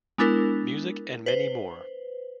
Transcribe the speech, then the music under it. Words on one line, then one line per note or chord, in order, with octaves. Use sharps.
Music and many more.
G#3 B3 D4 E4 A#4
B4 C5